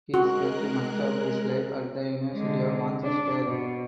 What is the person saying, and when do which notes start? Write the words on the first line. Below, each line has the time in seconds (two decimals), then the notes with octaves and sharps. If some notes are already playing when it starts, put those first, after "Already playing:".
He spent much of his life at the University of Manchester.
0.14 G#3 F#4 A#4 F#6
2.33 D3 G#3
3.03 D4
3.48 B2